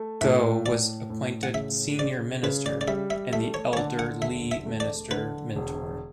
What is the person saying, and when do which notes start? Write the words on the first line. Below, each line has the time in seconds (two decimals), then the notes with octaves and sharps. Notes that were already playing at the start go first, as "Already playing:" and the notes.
Goh was appointed Senior Minister, and the elder Lee Minister Mentor.
Already playing: A3
0.21 A2 E5
0.65 A2 D5
1.10 A2
1.43 F#5
1.54 C#3 E5
1.98 C#3 D5
2.43 C#3 B4
2.66 D5
2.81 D5
2.88 G3 E5
3.10 E5
3.32 A3 E5
3.54 C#5
3.73 C#5
3.77 D3 D5
3.99 F#5
4.21 E1 E5
4.51 E5
4.66 A3
4.80 D5
5.11 D3 B4
5.56 E1